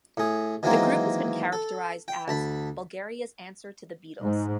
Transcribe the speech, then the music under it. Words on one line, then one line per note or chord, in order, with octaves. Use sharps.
The group has been characterized as "Bulgaria's answer to The Beatles".
A2 G#4
D#3 E3 F#3 G#3 A#3 C4
A4
G5
D2 A5 B5
G#2